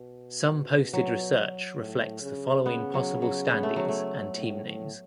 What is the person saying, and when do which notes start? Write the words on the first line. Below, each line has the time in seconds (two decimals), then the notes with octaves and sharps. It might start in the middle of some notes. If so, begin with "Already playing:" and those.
Some posted research reflects the following possible standings and team names.
Already playing: B2
0.93 F#3
1.79 A2
2.22 C#3
2.65 C#3 B3
2.94 F#3
3.22 F#3
3.51 B3
3.63 A3
3.76 F#3
3.88 A3
4.37 A2
4.66 A2